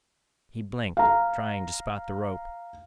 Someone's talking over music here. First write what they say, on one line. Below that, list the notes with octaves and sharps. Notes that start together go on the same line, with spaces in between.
He blinked, trying to spot the rope.
F5 A#5